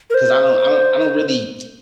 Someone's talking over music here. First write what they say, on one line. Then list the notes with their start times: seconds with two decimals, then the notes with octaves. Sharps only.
'cause I don't I don't I don't really
0.10 A#4
0.14 C5